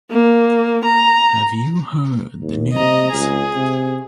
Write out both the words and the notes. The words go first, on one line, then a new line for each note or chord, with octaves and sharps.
Have you heard the news?
A#3
A#5
D#2
C3 D#5 A#5
C#2 G#4
C3